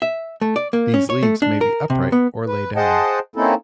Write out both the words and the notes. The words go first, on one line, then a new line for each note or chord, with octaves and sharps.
These leaves may be upright or lay down.
E5
A3
D5
A#3
C#4
C#5
A3
D4
A#4
C3
B3
B4
G#4 C5 D#5 F#5 G5 A5
A#3 C4 C#4 D#4 E4 A4